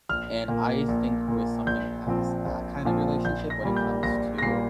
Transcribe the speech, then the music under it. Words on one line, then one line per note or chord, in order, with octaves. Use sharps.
And I think with something as that kind of relationship when it comes to,
A#1 F6
A#2 A#3
A#1
A#2 A#3
A#1 G6
A#2 F3 C4
A#1
A#2 F3 C4
A#1 G6
A#6
A#2 G3 A#3
G6
A#1 A#6
A#6
A#2 G3 A#3 C7